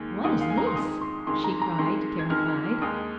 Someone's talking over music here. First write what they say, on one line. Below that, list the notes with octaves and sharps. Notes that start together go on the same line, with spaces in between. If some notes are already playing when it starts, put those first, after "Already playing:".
"What is this?" she cried, terrified.
Already playing: D#2 D#3 G#3
D#2 D#3 G#3 D#6
F5
G#5
A#5
C6
F2 D#3 G#3 D#6
C6
F2 D#3 G#3 C6
A#5
A#5
F2 D#3 G#3 C6
G#6
F2 D#3 G#3 F6
D#2 D#3 G#3 D#6